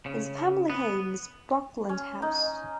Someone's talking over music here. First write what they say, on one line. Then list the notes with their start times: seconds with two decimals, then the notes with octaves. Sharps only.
His family home was Buckland House.
0.06 C#3
0.70 B3
1.89 C#4
2.22 D#4